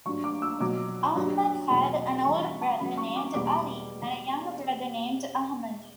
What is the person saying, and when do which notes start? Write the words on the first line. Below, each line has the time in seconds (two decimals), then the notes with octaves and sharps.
Ahmad had an older brother named 'Ali and a younger brother named Ahmad.
0.06 G2 F#3 C#6
0.24 D6
0.42 E6
0.60 B2 F#3 D6
1.15 G2 F#3
1.70 E2 B2 F#3
2.24 F#2 E3 G3 C#6
2.42 B5
2.61 A5
2.79 F#2 C#3 F#3 B5
2.97 C#6
3.16 D6
3.34 E2 B2 G3 D6